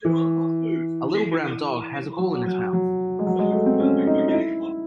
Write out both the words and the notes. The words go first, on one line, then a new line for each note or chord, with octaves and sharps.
A little brown dog has a ball in its mouth.
E3
F#3
F#3
F#3
G#3
F#3
G#3
A3
C4
C#4
D#4
D#4
E4